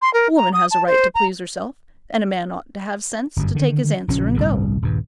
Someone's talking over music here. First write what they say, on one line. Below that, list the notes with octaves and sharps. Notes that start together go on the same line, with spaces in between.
A woman has a right to please herself, and a man ought to have sense to take his answer and go.
C6
A#4
A#5
D#6
A5
C5
A#5
G1 F#2
D3 D#3
A#1 A#2 C#3 C#4
G1 C2 A2 D3
D#1 G2